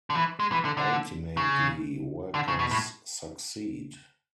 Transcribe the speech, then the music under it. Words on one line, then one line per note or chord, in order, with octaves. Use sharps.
Ultimately, workers succeed.
D3
E3
G#3
E3
D3
D3
C#3
D3
C#3
B2
A2